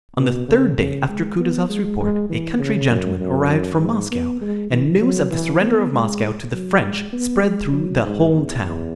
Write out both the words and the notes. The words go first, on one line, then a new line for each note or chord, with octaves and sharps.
On the third day after Kutuzov's report a country gentleman arrived from Moscow, and news of the surrender of Moscow to the French spread through the whole town.
B2
C#3
C#3
G#3
B3
G#3
G#3
E3
C#3
F#2
F#2
G#2
B3
G#3
E3
F#3
E3
B3
G#3
F#3
G#3
B3
G#3
F#3
G#2
E2
E2